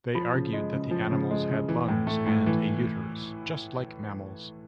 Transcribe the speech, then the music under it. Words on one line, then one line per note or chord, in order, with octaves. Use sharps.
They argued that the animals had lungs and a uterus, just like mammals.
F3 B5
C#3
G#3
C#3
F3
C#3
G#3
C#3
E3
A2
A3
A2
E3